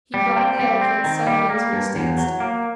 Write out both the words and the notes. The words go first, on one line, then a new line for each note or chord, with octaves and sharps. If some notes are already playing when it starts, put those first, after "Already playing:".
He brought the elephant suddenly to a standstill.
G3
C4
G3
C4
D#3
G3
A#3
G2
E2
F#3
A#3